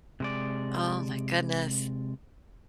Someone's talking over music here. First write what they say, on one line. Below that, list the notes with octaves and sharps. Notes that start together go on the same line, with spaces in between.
Oh, my goodness.
C3 G#3 D5